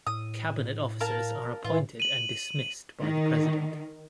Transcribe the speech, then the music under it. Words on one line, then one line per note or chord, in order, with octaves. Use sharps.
Cabinet officers are appointed and dismissed by the President.
A2 D#6
A#4 F5 A5
A2 E3 F4
D#7 F#7
D#3